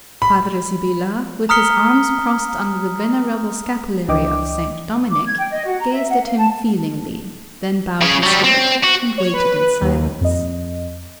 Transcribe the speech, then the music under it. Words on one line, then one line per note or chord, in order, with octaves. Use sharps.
Padre Sibyla, with his arms crossed under the venerable scapulary of St. Dominic, gazed at him feelingly, then bowed his head and waited in silence.
B5
A#5 D#6 F6 B6 C#7 G7
C#2 E3 D4 D#5 G5 D6
D6
G#6
G5
D#5
F#4
A#5
E5
F#5
F5
A5
C#3 G#4
F#3 G3
C4
F#4
C#5
B4
D#2
F2 D#5